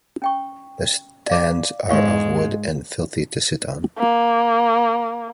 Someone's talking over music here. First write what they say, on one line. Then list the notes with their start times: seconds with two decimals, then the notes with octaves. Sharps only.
The stands are of wood and filthy to sit on.
0.22 C#4 G5 C#6
1.28 D5 F5 D6
1.89 G#2 G#3 F5 C#6
3.99 A#3